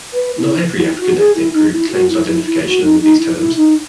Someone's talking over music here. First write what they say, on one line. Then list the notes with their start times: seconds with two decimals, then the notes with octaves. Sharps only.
Not every African ethnic group claims identification under these terms.
0.13 B4
0.37 E4
0.75 F#4
0.79 E4
0.98 F#4
1.17 G#4
1.35 E4
1.53 D#4
1.72 E4
1.90 F#4
2.09 E4
2.27 E4
2.46 E4
2.65 F#4
2.83 D#4
3.01 D#4
3.19 E4
3.38 E4
3.56 D#4